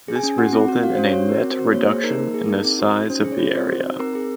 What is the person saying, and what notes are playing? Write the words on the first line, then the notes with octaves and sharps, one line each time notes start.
This resulted in a net reduction in the size of the area.
G#4
G#5
C#4
F#4 F#5
C4
F#5
F#4
F#4 F5
C#4 C5
C#5
F#4
F#4 A#4
C4
C5
F#4
A#3 C#5
G#4 C5
D#4 A#4
A#3
G#4
D#4
C4
F#4
D#4
C#4 C5
G#4
C#5
F4
C4 C5
F#4
D#4
C4 A#4
G#4